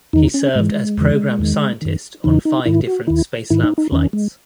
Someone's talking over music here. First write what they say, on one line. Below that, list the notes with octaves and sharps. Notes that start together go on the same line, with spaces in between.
He served as Program Scientist on five different Spacelab flights.
E2 D#3 D#4
C#4
G#2 E3 G#3
E2 C#3 E3
E2 D#3
F#2 D#3
E2 C#3 E3 D#4
D#4
G#2 D#3 E4
F#4
D#2 D#3 E4
G#2 D#3 E4
D#4
D#4
E2 D#3 C#4
G#3